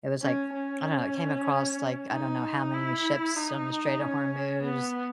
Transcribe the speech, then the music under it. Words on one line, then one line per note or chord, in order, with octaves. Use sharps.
it was like, I don't know, it came across like I don't know how many ships on the Strait of Hormuz
C#4
C#4
D#4
E4
D#4
C#4
B3